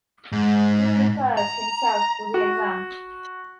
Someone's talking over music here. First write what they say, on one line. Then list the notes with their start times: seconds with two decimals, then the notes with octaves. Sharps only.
He prepares himself for the exam.
0.32 G#2
1.37 A#5
2.34 F#4